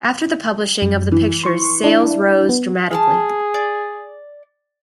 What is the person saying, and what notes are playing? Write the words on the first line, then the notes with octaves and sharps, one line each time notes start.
After the publishing of the pictures sales rose dramatically.
F#2
E3
C6 C#6
D4 E4
B3
G#4 A5 B5 F6
D5